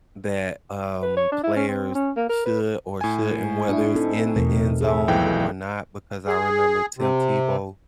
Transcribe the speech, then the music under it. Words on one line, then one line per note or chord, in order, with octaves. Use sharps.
that, um, players should or shouldn't, whether it's in the end zone or not, because I remember Tim Tebow
B4
C#5
D4
E4
C#4
C4
C#4
A#3
A#4
B4
A2 G#5
D4 E4
C4 D#4 A4
E2 B2 A3 A#4
G#4 A4 E5
B1 E3 F3 G5
G#4
C3